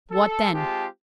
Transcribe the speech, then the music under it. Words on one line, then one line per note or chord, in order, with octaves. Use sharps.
"What then?"
A4
G#3 C4 F4 G4 A5